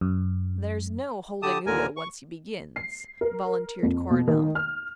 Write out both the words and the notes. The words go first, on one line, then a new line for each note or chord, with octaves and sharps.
"There's no holding Udo once he begins," volunteered Coronel.
F#2
D3 G4 A5 D#6
D#2 A#2 D3 A#4 G#5
C#6
C7
A#4
F2
B2
D#3
F6